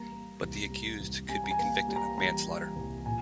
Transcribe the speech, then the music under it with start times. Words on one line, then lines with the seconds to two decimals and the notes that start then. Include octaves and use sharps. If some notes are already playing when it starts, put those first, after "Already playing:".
But the accused could be convicted of manslaughter.
Already playing: G3 A#3 A#5
0.12 A#3
0.41 C2
0.70 G3
1.00 C2
1.29 G3 G#5
1.44 A#5
1.51 G#5
1.59 A#3
1.88 G3
1.96 A#5
2.18 G3 A#5
2.48 A#3
2.76 C2
3.06 A#2 G#5